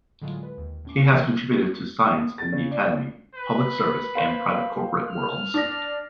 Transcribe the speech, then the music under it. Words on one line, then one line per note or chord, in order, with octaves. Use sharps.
He has contributed to science in the academic, public service, and private corporate worlds.
A2 D3 F#3 G#3 F4
B4
D#2
A2 C#4 D6
B2 D3 E3 F3
A6
C#3
D5
B4
C5 F5
F6
D4 A#6